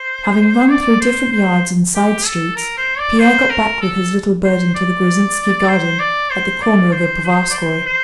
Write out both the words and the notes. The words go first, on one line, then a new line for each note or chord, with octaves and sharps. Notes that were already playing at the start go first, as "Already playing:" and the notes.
Having run through different yards and side streets, Pierre got back with his little burden to the Gruzinski garden at the corner of the Povarskoy.
Already playing: C5
D5
C5
C5
G4
A4
A#4
C5
D5
C5
A#4
A4
C5
D5
C5
D5
C5
D5
C5
C5
D5
C5
C5